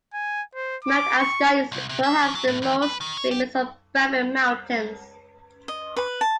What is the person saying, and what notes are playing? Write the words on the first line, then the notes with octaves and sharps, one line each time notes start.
Mount Asgard is perhaps the most famous of the Baffin Mountains.
G#5
C5
D6
C#6
C2
C3
E5
D#3
F#3
A2
E2
B4
D#3
C#5
G4
D#5
B4
A5